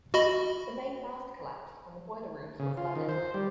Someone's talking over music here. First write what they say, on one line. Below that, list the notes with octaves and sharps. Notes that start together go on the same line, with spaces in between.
The main mast collapsed and boiler rooms were flooded.
F#4 D#5 B5
C#3
F4
D#3
C5
G3